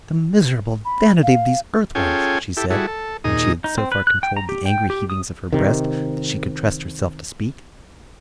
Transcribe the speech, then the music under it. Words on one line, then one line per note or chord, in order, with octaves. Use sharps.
'The miserable vanity of these earth-worms!' she said, when she had so far controlled the angry heavings of her breast, that she could trust herself to speak.
B5
F5
C#4 F4 G#4 A4 G5 G#5
E4 G4 A4
G3 E4 F#4 G#4 A4
A4
D#2 A#2 D#4 G#4 A#5 D#6
D#4
C4
B4
F#6
G5
A#5
G4
G5
G4
D#6
C3 D#3